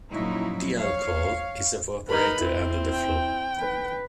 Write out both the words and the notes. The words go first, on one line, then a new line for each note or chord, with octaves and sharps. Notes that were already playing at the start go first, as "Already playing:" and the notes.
The alcohol is evaporated under the flow.
F#2 A#2 F3 F#3 D#4 E4
C#5 F5
D#4 A#4 B4 B5
C4 E4
G5
B4